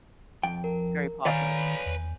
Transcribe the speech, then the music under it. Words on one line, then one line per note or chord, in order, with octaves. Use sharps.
very popular.
F2 G5
A#4
D#3 B4 C#5 D5 F5 G#5 A#5 G6
E2